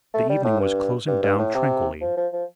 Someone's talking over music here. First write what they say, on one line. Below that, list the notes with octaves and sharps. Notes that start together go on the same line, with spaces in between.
The evening was closing down tranquilly.
A3
G3
A2
G2
G2
G2
A2
C3
F3
F3
F3